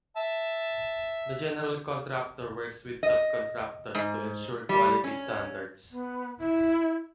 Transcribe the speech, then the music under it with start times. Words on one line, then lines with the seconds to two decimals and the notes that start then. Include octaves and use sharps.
The general contractor works with subcontractors to ensure quality standards.
0.17 E5 A5
3.03 D#5
3.95 G#2
4.69 G3
5.04 C#4
5.90 B3
6.38 E4